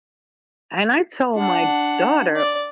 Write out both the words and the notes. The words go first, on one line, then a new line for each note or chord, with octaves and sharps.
And I told my daughter,
D4 F#5
D5